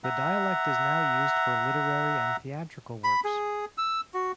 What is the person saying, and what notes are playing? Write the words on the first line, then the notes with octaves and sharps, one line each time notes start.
The dialect is now used for literary and theatrical works.
E5 F#5 A#5
B5
G#4
E6
F#4